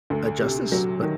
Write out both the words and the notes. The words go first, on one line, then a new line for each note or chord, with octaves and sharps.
a justice, but
D2
C3
F#3
D#3